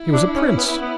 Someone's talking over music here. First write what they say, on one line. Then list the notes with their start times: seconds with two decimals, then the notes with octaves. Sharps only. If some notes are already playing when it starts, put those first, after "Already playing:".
"He was a prince!"
Already playing: E4
0.13 D4
0.36 C#4
0.57 B3
0.80 B3